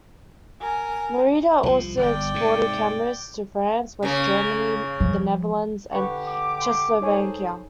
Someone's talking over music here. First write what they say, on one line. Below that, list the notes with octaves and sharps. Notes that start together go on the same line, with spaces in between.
Norita also exported cameras to France, West Germany, the Netherlands, and Czechoslovakia.
A#4 G#5
C2 F3
G1 D5 G5
G#2 C3
C#3 A#3
F3
D3 G4 B4 C#6
D6
G5 C6
D#4 G#4 A4 C5 C#5 G#5